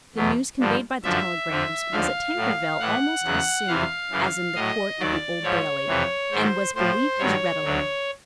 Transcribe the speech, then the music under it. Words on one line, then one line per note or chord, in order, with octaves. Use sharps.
The news conveyed by the telegrams was at Tankerville almost as soon as in the Court at the Old Bailey, and was believed as readily.
E2 B2 F#3
G2 D3 F3
F#2 D3 F3 E5
F2 D3 F3
D#2 D3 F3 F5
A2 F#3
A2 E3 F#5
E2 C#3 F#3
E2 C3 E3 F5
F#2 C#3 E3
A2 F#3 D#5
D#2 D#3 F#3 D5
G#2 F3 C#5
F2 C3 E3
G#2 D#3 F#3 C5
A2 F3 C5
G2 D#3 F#3 C#5
D2 D3 F#3